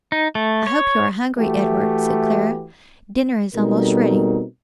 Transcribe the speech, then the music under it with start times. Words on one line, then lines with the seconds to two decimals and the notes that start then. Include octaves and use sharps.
"I hope you are hungry, Edward," said Clara; "dinner is almost ready."
0.12 D#4
0.35 A3
0.67 C#5
1.38 E3 A3 E4 F#4 G4
3.55 B2 G3 C4 D#4 A4 A#4